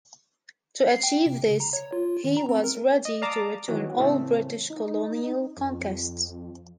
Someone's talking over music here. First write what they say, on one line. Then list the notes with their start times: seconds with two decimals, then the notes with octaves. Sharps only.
To achieve this, he was ready to return all British colonial conquests.
0.88 C7
1.03 G5
1.26 C3
1.47 C#3
1.60 A#5
1.73 C#5
1.93 F4
2.24 D#3
2.37 A#5
2.49 C4
2.64 A#4
3.05 D#5
3.22 D5 F5 A5 A#5 D6 D#6
3.68 D#3 E3 F#3
3.97 A2 C#3 E3 A3 C4
4.70 D#4
5.57 F2